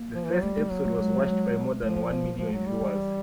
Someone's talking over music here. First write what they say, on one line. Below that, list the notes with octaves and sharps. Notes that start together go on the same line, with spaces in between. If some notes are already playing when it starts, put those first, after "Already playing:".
The first episode was watched by more than one million viewers.
Already playing: A#3
F3
E3
F#3
G3 A3
A3
F#3 A#3
A3
G#3
G#3
F3 A3
A#3
A3
G3
F3 G#3
F#3 G#3
F3 G3
E3